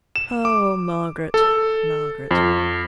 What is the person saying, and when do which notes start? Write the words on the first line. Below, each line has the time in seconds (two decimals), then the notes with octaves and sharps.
Oh, Margaret, Margaret!
0.16 E7
0.45 D6
1.34 A4
2.31 F2